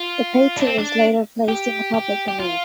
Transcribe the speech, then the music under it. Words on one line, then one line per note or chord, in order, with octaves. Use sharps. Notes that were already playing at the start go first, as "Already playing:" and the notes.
The patent was later placed in the public domain.
Already playing: F4
D4
C4
D4
G4
G4
G4
F4